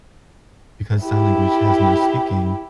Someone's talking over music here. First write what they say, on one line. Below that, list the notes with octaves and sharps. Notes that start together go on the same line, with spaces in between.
because sign language has no speaking,
E4 G4